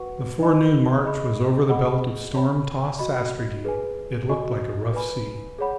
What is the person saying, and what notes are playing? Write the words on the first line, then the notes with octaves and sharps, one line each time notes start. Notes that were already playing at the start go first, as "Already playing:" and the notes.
The forenoon march was over the belt of storm-tossed sastrugi; it looked like a rough sea.
Already playing: F#4 B4 F#5 C#6
D#4 B4 D#5 B5
G#4 D#5 B5
G#4 D#5 F#5 B5
C#5 B5
F#4 D#5 B5
G#4 B4 G#5
F#4 D#5 G#5 C#6
B4 G#5 B5
G#4 C#5 F#5 B5